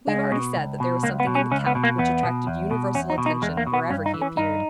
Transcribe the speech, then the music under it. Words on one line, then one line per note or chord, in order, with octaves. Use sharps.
We have already said that there was something in the count which attracted universal attention wherever he appeared.
C#2 G#3
B2
C#2
B2
C#2 A#3
B3
B2
C#4
C#2 C#4
B3
B2
A#3
E2 B3
B2
E2
B2
E2 C#4
D#4
B2
D#4
E2 G#3
A#3
B2
B3
G2 C#4
D#4
E3
C#4
G2 D#4